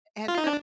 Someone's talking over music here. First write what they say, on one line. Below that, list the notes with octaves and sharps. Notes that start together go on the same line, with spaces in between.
And so
F4
D#4
D4